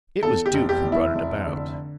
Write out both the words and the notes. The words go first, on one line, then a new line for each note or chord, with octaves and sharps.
It was Duke who brought it about.
E2 A4
G4
F1
G4
E2
E4
F1
D3